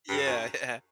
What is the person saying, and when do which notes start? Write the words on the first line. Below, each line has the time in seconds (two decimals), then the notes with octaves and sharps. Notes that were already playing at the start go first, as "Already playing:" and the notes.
Yeah, yeah.
0.09 G2
0.27 F#2